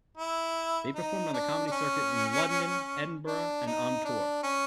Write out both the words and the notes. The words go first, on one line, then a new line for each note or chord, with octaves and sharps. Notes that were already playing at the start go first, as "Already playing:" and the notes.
They performed on the comedy circuit in London, Edinburgh and on tour.
E4
D#4
D4
D4
C#4
D4
D#4
D4
C#4